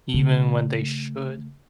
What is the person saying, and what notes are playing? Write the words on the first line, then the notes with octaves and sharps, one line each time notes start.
even when they should.
C#3 A3